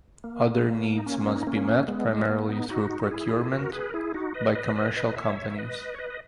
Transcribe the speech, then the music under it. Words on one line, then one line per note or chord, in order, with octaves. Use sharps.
Other needs must be met primarily through procurement by commercial companies.
A#3
B3
A#3
D#4
A#3 C#4
D#4
A#3 C#4
G#3 B3
G#3
A#3
B3 D#4
D#4 F#4
F#4
E4 G#4
F#4 A#4
G#4 B4
A#4
E4 G#4
D#4 F#4
B4 D#5
B4 D#5
B4 D#5
B4 D#5
C#5 E5
E5
B4 D#5
C#5
B4 D#5
D#5